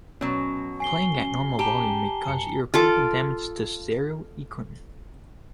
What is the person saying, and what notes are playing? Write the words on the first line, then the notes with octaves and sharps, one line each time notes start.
Playing at normal volume may cause irreparable damage to stereo equipment.
B2 F#3 C#4
G#5 C7 G7
C#4
G4 A5 A#5 G7
F#2 C#7
F4 A4 D6